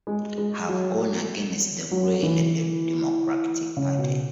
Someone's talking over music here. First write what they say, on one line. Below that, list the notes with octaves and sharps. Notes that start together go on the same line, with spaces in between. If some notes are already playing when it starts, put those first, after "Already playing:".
I've gone against the grain in the Democratic party.
G#3
G#3
F#3
F#3
E3
C#3
B2